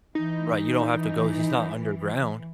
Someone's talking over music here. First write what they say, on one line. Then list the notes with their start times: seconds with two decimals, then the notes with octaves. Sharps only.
right, you don't have to go. He's not underground.
0.15 E3 D#4